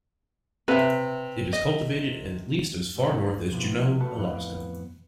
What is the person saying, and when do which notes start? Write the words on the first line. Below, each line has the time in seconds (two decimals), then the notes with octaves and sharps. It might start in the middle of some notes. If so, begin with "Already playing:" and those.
It is cultivated at least as far north as Juneau, Alaska.
0.68 C3 B4 E5
1.53 D#5
2.95 G#2 G3 A3 C#5
3.52 B2 F3 B3 E4 F#4 G4
4.00 A3 F#4 B4 A5
4.16 F2 A2 E3 B3 B4 F5